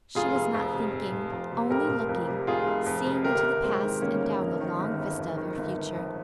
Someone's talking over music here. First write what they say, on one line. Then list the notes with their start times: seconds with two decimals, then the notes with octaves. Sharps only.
She was not thinking, only looking, seeing into the past and down the long vista of her future.
0.15 F1 F4 G#4
0.35 F1
0.54 F2
0.74 C3
0.93 F1
1.13 F1
1.32 F2
1.51 C3
1.70 F1 G4 A#4
1.89 F1
2.09 F2
2.28 C3
2.47 F1 F4 G#4
2.67 F1
2.86 F2
3.05 C3
3.24 G1 G4 A#4
3.44 G1
3.63 F2 G#3 C4
3.83 D#3
4.02 G1 A#3 C#4
4.21 G1
4.41 F2
4.60 D#3
4.79 G1
4.99 G1
5.19 F2
5.37 D#3
5.57 G1
5.76 G1
5.95 F2